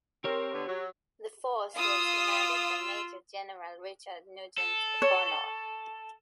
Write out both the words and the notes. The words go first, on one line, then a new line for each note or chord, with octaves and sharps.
The force was commanded by Major-General Richard Nugent O'Connor.
C4 G4 A#4 C#5
D3 B3
F#3
F4 F5 D#6 E6
A4
C#5